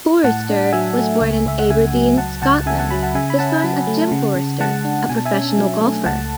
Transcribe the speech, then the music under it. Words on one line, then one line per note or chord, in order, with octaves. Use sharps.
Forrester was born in Aberdeen, Scotland, the son of Jim Forrester a professional golfer.
A2 F#5 A5
D4
F#3 E5 G#5
A3
C#2
C#2 E5
F#5
C#3 E5 G#5
F#3
C#2 F#5 A5
C#2 F#5 A5
C#3 E5 G#5
F#5 A5
F#3 G#5 B5
F#5 A5
C#3 E5 G#5
B5
C#4 F#5 A5
F#3
A3
C#3
C#3
G#3 F#5 A5
D4
B2 G#5
A5
E5 G#5
C#4
F#3
A3
C#2 F#5 A5